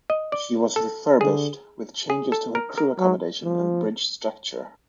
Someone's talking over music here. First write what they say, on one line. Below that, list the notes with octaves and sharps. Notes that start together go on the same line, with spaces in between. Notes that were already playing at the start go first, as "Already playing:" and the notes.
She was refurbished with changes to her crew accommodation and bridge structure.
D#5
D5
A4
D3 G#4
G#4
A4
A#4
A#4
F#3
F3